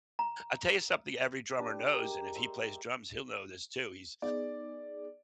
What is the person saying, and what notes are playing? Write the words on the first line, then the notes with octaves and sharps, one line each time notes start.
I'll tell you something, every drummer knows, and if he plays drums, he'll know this too. He's,
A#5
D4 G4 B4
G#3 G4 A#4
E5 C6 D#6
B3 D#4 G#4 D5